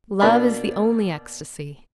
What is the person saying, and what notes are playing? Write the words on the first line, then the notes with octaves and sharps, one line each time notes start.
Love is the only ecstasy.
B2 A#3 D4 D5 B5